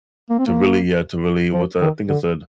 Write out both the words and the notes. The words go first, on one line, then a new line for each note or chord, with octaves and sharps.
To really, uh, to really, what's that, I think it said
A#3
C4
A#3
F3
D#3
D3